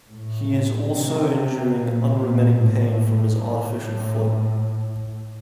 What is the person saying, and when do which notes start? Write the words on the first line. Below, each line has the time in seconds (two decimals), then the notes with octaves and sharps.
He is also enduring unremitting pain from his artificial foot.
0.10 A2
0.93 C3
1.76 A#2
2.17 A#2
2.58 A2